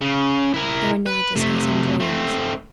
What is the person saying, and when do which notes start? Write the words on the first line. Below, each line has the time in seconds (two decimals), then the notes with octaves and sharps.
They were now discussing dreams.
0.01 C#3
0.54 E4 A#4
1.06 B4
1.36 C3 A3
2.00 A3 C4